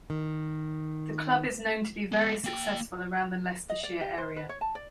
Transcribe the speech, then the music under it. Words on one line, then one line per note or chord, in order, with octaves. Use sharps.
The club is known to be very successful around the Leicestershire area.
D#3
G#3 B3
A#3 G5
D#5
D5
G4
C5
B4
C#5
A5
D5